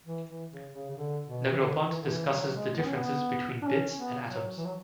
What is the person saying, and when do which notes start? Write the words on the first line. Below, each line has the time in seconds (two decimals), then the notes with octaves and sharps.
Negroponte discusses the differences between bits and atoms.
0.06 E3
0.28 E3
0.51 C#3
0.73 C#3
0.91 C#3
0.96 D3
1.26 B2
1.51 E3
1.56 D3
1.87 E3
2.02 D3
2.09 E3
2.31 F#3
2.54 G#3
2.77 B3
2.86 C#4
2.94 B3
3.62 D4
3.67 C#4
3.97 B3
4.27 F#3
4.57 E3
4.65 F#3